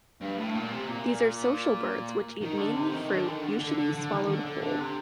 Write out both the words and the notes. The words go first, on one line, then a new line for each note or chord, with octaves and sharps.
These are social birds which eat mainly fruit, usually swallowed whole.
G2
A2
A#2
C3
A#2
D#3
D3
C3
D#3
D3
D#3
D3
D3
D3
D3
D#3
D3
D3
D3
C3